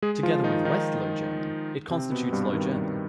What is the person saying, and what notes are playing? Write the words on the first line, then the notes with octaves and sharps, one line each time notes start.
Together with West Low German, it constitutes Low German.
G#3 G#4
F3 F4
D#3 D#4
D#3 D#4
C3 C4
B2 B3
G2 G3
D#3